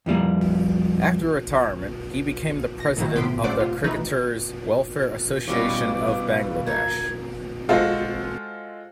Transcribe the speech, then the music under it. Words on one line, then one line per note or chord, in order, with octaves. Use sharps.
After retirement he became the president of the Cricketers' Welfare Association of Bangladesh.
F2 E3 G3 A#3
A#6
A2 D#3 E3 F#3
A2 C3 B3 C6 B6 D7
C#3 A3 C5 D5 F#5 D6
C3 F4
E3 A3 D#4 B4
B2 E3 G3 C#4 B4 C#5 F5 D6
A#3 A4 G#6
G#3 F4 F#4 A4 C5 F5